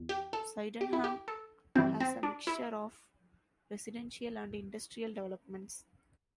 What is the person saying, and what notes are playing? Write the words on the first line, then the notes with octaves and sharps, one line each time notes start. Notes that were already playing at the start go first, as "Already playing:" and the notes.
Sydenham has a mixture of residential and industrial developments.
Already playing: E2
G4
A4
G4
E4
G4
A4
G2 E3 G3 C4
C4
D4
E4